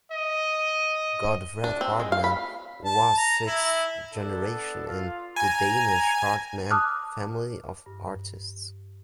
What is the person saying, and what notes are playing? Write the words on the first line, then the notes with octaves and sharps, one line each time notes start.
Godfred Hartmann was sixth generation in the Danish Hartmann family of artists.
D#5
D4
C4
G#3
F5
B5
A5
A#5
E4
B3 D4 A4
F4
G#5 A#5
A5 D6 D#6 F6 F#6
G2